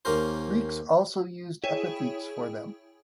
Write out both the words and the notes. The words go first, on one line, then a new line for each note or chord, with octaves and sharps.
Greeks also used epithets for them.
D#2 A#3 C#4 A#4 C5
E4 G#4 C#5 G5